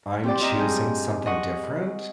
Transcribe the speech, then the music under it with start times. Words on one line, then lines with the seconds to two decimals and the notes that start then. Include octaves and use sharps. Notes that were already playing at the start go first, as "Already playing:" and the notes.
I'm choosing something different,
0.24 C4 G4 D5
0.39 C4 F4 D#5 A#5
0.58 G2 G#4 G6
1.26 D#5 F#5 C#6